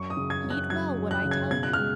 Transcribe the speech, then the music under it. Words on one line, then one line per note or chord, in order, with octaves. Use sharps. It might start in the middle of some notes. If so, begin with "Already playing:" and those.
Heed well what I tell you.
Already playing: F#2 C#6
D#6
C#3
G#6
F#2
F#6
F#3 G#6
F#2
F#6
C#3
G#6
B2 G#6
F#6
G#3 F6